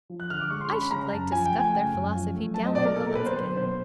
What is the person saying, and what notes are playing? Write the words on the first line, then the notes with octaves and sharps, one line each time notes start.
I should like to stuff their philosophy down their gullets again.
F3
F#6
D3 F6
D6
G#3 C#6
C6
C#4 B5
B5
C#3 A#5
F#2 A5
F3 G#5
G5
A3
G#5
C#3
F#2
F3
A3
F#3 A5
D#5
B2 D5
A#4
A#3 A4
A#4
B2 B4
C5
F#3 C5
B2 C5